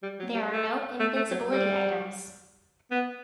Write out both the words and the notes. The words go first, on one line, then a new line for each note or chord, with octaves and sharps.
There are no invincibility items.
G3
F#3
G3
A3
A3
A3
F#3
G3
B3